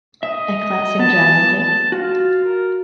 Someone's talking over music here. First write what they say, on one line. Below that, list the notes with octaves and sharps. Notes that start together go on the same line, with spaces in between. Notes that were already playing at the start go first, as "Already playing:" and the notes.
A classic dramedy?
D#5 E5
B3 A5
A5
F4 F#4
A#4